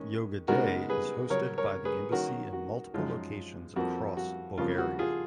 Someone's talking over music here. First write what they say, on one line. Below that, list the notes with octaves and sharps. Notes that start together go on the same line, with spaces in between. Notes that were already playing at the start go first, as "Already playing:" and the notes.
Yoga Day is hosted by the embassy in multiple locations across Bulgaria.
Already playing: D#3 G#3 C#4
C#3 G#3 B3 D#4 F#4 A#4
G#4 B4
C#3 F#3 C#4 A#4 C#5
A#4 C#5
G#4 B4
D#3 A#3 C#4 F#4 A#4
F#4
F#2 F3 G#3 D#4 F4
F2 F3 A#3 F#4
F#4
F2 C#3 F3 A#3 F4
F#4
F4 G#4